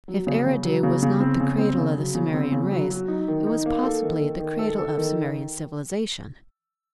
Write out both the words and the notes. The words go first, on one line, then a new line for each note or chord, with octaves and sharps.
If Eridu was not the "cradle" of the Sumerian race, it was possibly the cradle of Sumerian civilization.
F#3
C#3
C#3
F#3
C#3
C#3
C4
C#3
C4
C#3
F#3
C#3
C4
C#3
F#3
F#3
D#4
D#3
D#4
A#3
A4
D#3
D#3
D#3
A4
A4
D#3